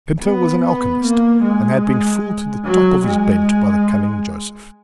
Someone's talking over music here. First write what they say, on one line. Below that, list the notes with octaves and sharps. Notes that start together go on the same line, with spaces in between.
Pinto was an alchymist, and had been fooled to the top of his bent by the cunning Joseph.
B3
B3
A#3
G#3
F#3
G#3